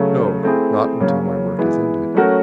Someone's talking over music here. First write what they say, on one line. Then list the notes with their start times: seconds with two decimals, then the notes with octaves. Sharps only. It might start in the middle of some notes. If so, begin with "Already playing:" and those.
"No; not until my work is ended."
Already playing: C#3 F#3 A3
0.43 A3 C4 E4 G#4
1.00 C#3 F#3 A#3 C#4
1.58 E3 G#3 B3 E4
2.15 F#3 A3 C#4 F#4 A#4